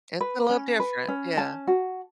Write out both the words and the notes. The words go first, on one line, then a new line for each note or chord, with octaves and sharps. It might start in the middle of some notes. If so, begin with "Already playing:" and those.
It's a little different, yeah.
B4
C#4
B4
C#4
C#4 A5
F#4